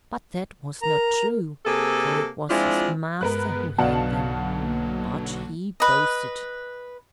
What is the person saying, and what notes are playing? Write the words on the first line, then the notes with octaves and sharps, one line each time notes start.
But that was not true, for it was his master who had them: but he boasted.
A#4 A#5
C3 A#3 G#4 A4
F3 G#3 C4 D4 E4 F4
G2 G#3 B3 A#4 B4 F#6
B1 B2 D3 F#3 D5 F5 F#5 A5
A#3
B4 D#5